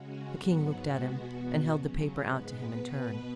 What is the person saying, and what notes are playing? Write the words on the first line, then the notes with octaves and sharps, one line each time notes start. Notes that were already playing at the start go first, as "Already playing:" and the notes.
The king looked at him, and held the paper out to him, in turn.
Already playing: C#3 G#3 C#4 F#4
G#2 F#3 B3
B2 G#3 B3 F#4
E2 B2 B3
C#3 F#3 C#4
G#2 G#3 B3 B4
B2 B3